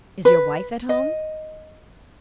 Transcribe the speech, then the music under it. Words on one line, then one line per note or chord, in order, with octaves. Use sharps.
"Is your wife at home!"
B4
D#5